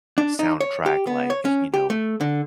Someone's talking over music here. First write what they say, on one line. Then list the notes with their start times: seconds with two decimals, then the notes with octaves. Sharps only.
soundtrack, like, you know
0.18 D4
0.39 D#4
0.61 C#5
0.86 G4
1.07 B3
1.30 C#5
1.45 C#4
1.74 G4
1.90 A3
2.21 D3